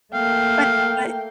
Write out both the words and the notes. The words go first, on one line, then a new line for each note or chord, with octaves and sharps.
But but
A3 A#3 F5 G5